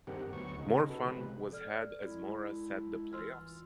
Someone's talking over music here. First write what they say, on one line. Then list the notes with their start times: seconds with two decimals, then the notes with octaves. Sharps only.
More fun was had as Mora said the Playoffs?
0.07 G2 D#3 C4 G4 A#4 F#5
0.33 D2 F#3 B3 C#6
0.59 C#3 D#4
0.89 F#4 A4 B4
1.05 C3 F3 G#3 B4
1.52 A4 D5 F6
2.07 G#3 E4
3.13 C2 E3 F4 C6 E6 F6